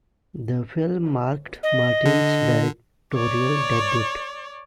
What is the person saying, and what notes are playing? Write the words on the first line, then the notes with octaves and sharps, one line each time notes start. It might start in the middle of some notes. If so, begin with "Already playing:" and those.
The film marked Martin's directorial debut.
D#5
D3
C#5 D5